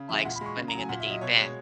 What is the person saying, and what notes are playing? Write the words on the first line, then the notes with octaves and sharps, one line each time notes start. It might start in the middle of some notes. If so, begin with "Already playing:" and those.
like swimming in the deep end.
Already playing: C#3
E3 G#3 E5
A#2 F#5
B5
G#3 C#6
C#3
A#5
F#3 G#5
A#2 F#5
E5
F#3 D#5
B2 C#5
G#3 C#5